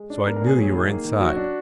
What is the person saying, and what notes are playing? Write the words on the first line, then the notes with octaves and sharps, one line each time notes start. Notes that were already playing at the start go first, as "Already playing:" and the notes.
So I knew you were inside.
Already playing: G#3
D4
B3 A#4
A#4
A#2 G#4
F#3
D#3
A#3
D#3
F#3 F#4
D4